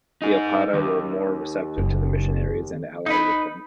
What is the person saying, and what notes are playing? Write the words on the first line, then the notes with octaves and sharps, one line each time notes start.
The Opata were more receptive to the missionaries and allied with them.
D#4 G#4
D#2
F#1
D#4 B4